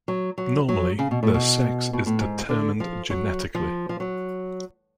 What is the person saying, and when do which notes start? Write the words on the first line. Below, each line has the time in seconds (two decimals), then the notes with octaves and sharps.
Normally their sex is determined genetically.
0.08 F#3
0.38 F#3
0.69 F#3
0.99 C#3
1.11 B2
1.23 A2
1.34 B2
1.93 B2
2.06 A2
2.20 G#2
2.49 D3
2.80 F3
3.10 F#3
3.55 F3
3.89 F3
4.00 F#3